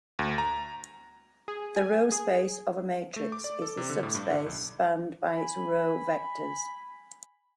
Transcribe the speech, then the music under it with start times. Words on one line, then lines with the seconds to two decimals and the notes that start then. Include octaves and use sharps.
The row space of a matrix is the subspace spanned by its row vectors.
0.19 D2
0.38 A#5
1.48 G#4
1.76 G#5
2.12 G#4
3.16 A3
3.32 D6
3.44 D5
3.62 A4
3.77 C3
3.90 D3
4.03 A2
4.15 G2
4.31 D3
4.46 B1
5.33 G#5 B5